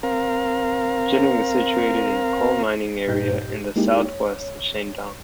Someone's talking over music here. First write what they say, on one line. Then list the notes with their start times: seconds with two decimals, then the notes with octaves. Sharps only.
Jining is situated in a coal mining area in the southwest of Shandong.
0.03 C4 A#4 F5
3.07 G2 A#2 D#4 G4 G6
3.76 G#3 A#3 D#4 E4 G4 G#4
4.05 C#5